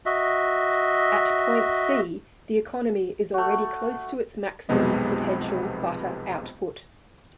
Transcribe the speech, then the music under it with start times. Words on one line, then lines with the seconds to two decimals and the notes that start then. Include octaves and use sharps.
At point "C", the economy is already close to its maximum potential butter output.
0.06 F#4 D#5 E5
3.34 A3 F#4
4.69 B1 F2 C3 G#3 B3 D#5